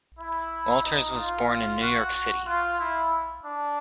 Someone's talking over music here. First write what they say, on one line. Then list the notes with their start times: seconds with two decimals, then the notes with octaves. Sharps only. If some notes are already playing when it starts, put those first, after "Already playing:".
Walters was born in New York City.
0.19 E4
0.83 D#4
1.16 F4
1.82 F#4
2.13 F#4
2.46 F4
2.79 E4
3.44 D4